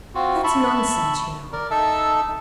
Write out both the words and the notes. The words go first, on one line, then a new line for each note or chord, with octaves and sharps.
"That's nonsense, you know."
C4 F4 F#4
E5 A5 B5 C#6
A#4 D5
D#4 A4 E5 A5 E6